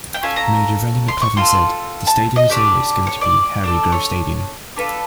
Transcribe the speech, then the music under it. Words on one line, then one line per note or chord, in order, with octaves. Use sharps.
Mayor Randy McClement said, The stadium is always going to be Harry Grove Stadium.
G5
C#4 F4 A4 G#5
A#5
C6
C#6
C4 F4 A4 C6
A5
D#5
A3 D4 G4 D5
C#5
D5
D4 F#4 A4
C#5
D4 F4 A4 B4